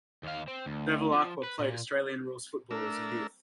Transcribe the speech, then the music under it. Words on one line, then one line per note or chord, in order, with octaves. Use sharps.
Bevilaqua played Australian rules football as a youth.
D#2 F5
C4
D2
F3
B4
A#2
A3 D4 A#4 E6